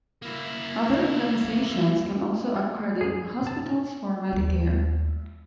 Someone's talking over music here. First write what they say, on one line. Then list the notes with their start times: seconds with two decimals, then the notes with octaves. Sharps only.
Other organizations can also accredit hospitals for Medicare.
0.22 A#3 E4
3.01 G#4
3.47 A5
4.33 D#2 G#3